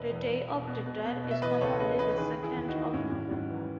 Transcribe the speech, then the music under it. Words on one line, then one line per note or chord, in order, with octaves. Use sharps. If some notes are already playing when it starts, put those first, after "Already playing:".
The day of the dead is commonly the second of November.
Already playing: E1 B4 D#5
E2
E2
E1
B2
B2
B2
B2
E5
E3 B4 D#5
C#2 A4 C#5
C#3 B4 D#5
E3 B4 D#5
D#3 G#4 B4
D#3
E4 G#4
D#2
D#4 F#4
D#3
G#2 C#4 E4
G#2
G#2
E3